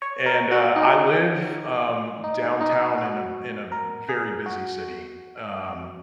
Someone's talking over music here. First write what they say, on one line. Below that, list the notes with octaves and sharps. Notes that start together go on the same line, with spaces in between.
and, uh, I live, um, downtown in a in a, very busy city, um,
C#5
A#4
F#4
D#4
D#4
D#4
F#4
A#4
G#4
F#4